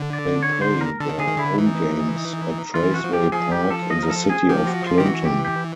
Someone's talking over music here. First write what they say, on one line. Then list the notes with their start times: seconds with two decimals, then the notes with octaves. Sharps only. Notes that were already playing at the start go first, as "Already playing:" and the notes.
They play their home games at Traceway Park in the city of Clinton.
Already playing: D3
0.13 D5
0.43 C#5
0.62 C5
0.81 A#4
1.00 D3 A4
1.10 D#3
1.19 D3 G#4
1.27 D#3
1.36 D3 E4
1.58 E3 D#4
2.74 E3 F4
2.94 F#4
3.04 F3
3.13 G4
3.32 F3 G#4
3.52 G4
3.71 A4
3.90 D#5
4.03 A#4
4.10 A4
4.30 G#4
4.49 F3 G4
4.67 F#4
4.86 F4
4.98 D#3 G4
5.06 E3 F#4
5.25 G4
5.45 G4